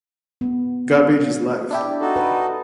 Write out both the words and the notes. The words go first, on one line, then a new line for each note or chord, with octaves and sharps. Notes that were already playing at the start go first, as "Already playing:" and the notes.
Garbage is life.
B3
D4 E4 G4
D#4 F#4 A4
B4